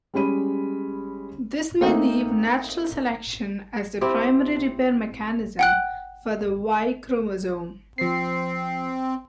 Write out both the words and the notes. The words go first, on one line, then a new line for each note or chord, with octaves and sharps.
This may leave natural selection as the primary repair mechanism for the Y chromosome.
G3 G#3 C#4 B5 D#7
A3 A#3 C4 D#4 G5
C4 E4 G4
F#5 G5 F#6
F3 C4 C7